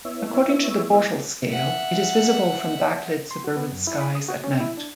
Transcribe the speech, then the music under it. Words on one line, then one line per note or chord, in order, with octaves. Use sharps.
According to the Bortle scale, it is visible from backlit suburban skies at night.
B3 E4 C#5 E5
E5 F#5
C6
F#4
B3
F#2
E4
B5
D#6
F#4
C#4
E4
D4